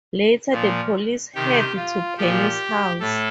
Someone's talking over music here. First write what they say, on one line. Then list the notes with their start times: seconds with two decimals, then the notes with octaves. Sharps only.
Later, the police head to Kenny's house.
0.52 A#2 F3
1.35 C3 D#3 G4
1.76 F4
2.17 A#2 F3 G4
3.00 A2 A4